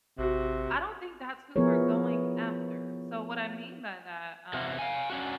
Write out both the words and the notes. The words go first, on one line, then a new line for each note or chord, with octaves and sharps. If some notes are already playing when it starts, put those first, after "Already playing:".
I don't think that's who we're going after. So what I mean by that, um,
A1 C3 F#4
F3 B3 E4 G#4 A#4 C#5
E2 C3 B3 E4 F#4
F5 F#5 G#5
C#4 D4 F#4